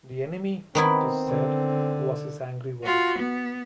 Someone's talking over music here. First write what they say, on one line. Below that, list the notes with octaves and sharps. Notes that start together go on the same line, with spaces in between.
The enemy, it is said, was his angry wife.
D#3 B3 C4 E4
D3
F4 F#4
B3